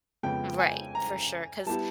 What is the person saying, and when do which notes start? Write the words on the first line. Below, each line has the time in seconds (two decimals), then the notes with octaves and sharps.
Right. For sure, 'cause
0.23 F2 C#3 F3 G#3 B3 G5
0.59 G#5
0.95 A#5
1.66 G3 B3 E4 G4 A5